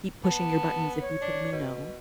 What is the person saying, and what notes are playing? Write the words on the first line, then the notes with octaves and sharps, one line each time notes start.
keep pushing your buttons if you told me "no."
B3 A5
C#5
D4
B2